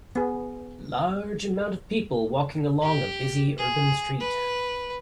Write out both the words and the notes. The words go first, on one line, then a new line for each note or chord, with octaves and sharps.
Large amount of people walking along a busy urban street.
B3 G#4
G4
G#4
B4